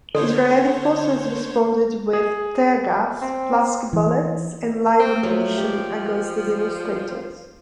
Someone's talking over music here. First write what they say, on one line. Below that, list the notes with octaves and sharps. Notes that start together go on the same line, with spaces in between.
Israeli forces responded with tear gas, plastic bullets, and live ammunition against the demonstrators.
D3 A4 C5 C#5
G#4
C4
E3
C4
F3 F#3 A3
G4 D5